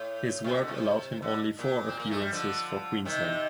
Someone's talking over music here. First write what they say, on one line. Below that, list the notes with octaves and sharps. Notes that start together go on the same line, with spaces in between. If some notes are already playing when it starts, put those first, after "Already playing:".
His work allowed him only four appearances for Queensland.
Already playing: A2
C3
A#2
D3
C3
D3
A#2
C4
A#3
A3
G3
D3 F3
C3 D#3